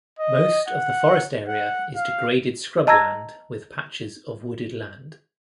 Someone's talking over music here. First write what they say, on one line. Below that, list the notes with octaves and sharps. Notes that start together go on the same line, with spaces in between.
Most of the forest area is degraded scrub land with patches of wooded land.
D#5
F#5
F#5
F5
D#5 A5 A#5 E6 G#6 A#6